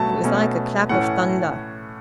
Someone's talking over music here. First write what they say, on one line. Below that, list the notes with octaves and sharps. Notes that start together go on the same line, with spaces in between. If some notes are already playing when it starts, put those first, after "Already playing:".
It was like a clap of thunder.
Already playing: B2 F#3 A3 A5
B2 A3 C#4
A2 E3 A3 C#4 F#5